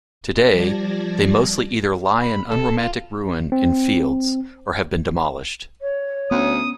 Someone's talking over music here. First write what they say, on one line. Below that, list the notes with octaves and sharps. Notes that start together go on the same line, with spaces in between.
Today, they mostly either lie in unromantic ruin in fields, or have been demolished.
F3 G3 D5 A5 G#6 A#6
B5
A4
F4
C4
C#5
D2 B3 C#4 D#6